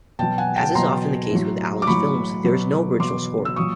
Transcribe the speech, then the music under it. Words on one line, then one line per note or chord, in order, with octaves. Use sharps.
As is often the case with Allen's films, there is no original score.
B2 F#3 G5 A5
F#5 G#5
G5 A5
B2 F#3 A#5 C6
A2 F#3
D6
A2 F#3 B5 C#6
B2 F#3
B2 F#3 C6 D6
E6
A#2 F#3 C#6 D#6